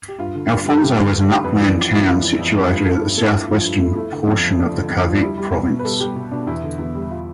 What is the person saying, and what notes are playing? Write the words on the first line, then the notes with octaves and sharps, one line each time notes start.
Alfonso is an upland town situated at the south-western portion of the Cavite province.
G4
G2 F4
D3
G2
G3 A4
G2 G4
D3
G2
G3
F2 B4
E3 D4
F2
G3 E4
F2 F4
E3
F2
G3
G2 F4
F3 A4
G2
A3 A4
G2 E4
F3
G2
A3
A3 E4
D3
F2
F3
A3 D4
D3
F2
F3
D4
G3 E4
G3
B2
B2
B4
G3 A4
G3 G4
B2
B2 D4
E2 E4
D3
E2
G3
F4